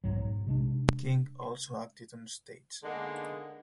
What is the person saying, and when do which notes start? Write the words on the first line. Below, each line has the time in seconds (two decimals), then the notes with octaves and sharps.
King also acted on stage.
0.04 B1 G#2 F#3
0.47 C3 G#3 D4
2.83 D3 G#3 A#3 B3 D4 D#4